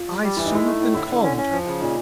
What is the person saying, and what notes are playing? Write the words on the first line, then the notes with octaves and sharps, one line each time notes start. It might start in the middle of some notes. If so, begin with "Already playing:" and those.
I soothed and calmed her.
Already playing: F4
G3
G3
E3 E4
D#4
G#3 E4
A3
A2
D3 E4
D3
C#4
C#4
F3
C#3
A#2 D#4